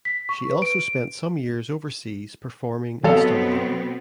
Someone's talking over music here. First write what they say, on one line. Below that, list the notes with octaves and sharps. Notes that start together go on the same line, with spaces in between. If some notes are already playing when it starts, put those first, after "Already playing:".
She also spent some years overseas performing and studying.
B6
C#6
B4
D7
B2 F#3 B3 C4 A4 C#5 D#5 F5